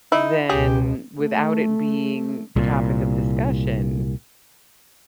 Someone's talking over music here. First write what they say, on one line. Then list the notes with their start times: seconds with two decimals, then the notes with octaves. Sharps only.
then without it being the topic of discussion,
0.12 D#4 E4
0.50 C#2 B2 G4 G#4
1.20 A3
2.56 C2 A#2